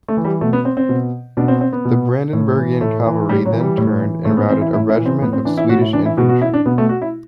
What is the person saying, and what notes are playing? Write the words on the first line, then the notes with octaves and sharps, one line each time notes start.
The Brandenburgian cavalry then turned and routed a regiment of Swedish infantry.
A3
E3
G3
B2 A3
B3
C4
C4
B2
B2 D4
C4
C4
B3
B2
A2
E3
A2 A3
E3
A2 G3
F#3
E3
G3
A2
E3
A2 A3
B3
E3 C4
E4
A2 E4
E4
E3
C4
A2 B3
C4
E3 D4
E4
A2 F#4
E4
E3 D4
E4
B2 F#4
F#4
E4
D4
B2 B3
A3
F#4
E4